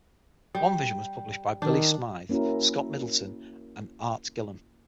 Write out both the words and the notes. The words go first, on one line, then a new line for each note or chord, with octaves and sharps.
One version was published by Billy Smythe, Scott Middleton, and Art Gillham.
G3
D#3 D4
A#3 C#4 E4 F#4 A#4